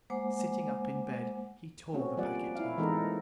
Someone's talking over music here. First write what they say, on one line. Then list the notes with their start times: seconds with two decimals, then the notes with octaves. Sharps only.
Sitting up in bed he tore the packet open.
0.10 G#3 A#3 C5 F#5 G#5 D6
1.93 A3 C4 C#4 F#4
2.17 F3 G3 A#3 D5 F#5
2.55 E4 F5
2.78 E3 G#3 B3 D#4 A4 A#4